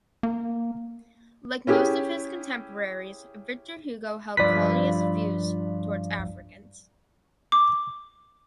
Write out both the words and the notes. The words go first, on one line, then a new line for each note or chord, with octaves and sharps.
Like most of his contemporaries, Victor Hugo held colonialist views towards Africans.
A#3
C#4 E4 G4 G#4
G2 F3 B4 D5 B6
D6